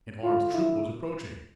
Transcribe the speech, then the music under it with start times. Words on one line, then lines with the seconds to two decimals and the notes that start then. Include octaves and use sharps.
An armed troop was approaching.
0.22 D2 D3 F4
0.53 E4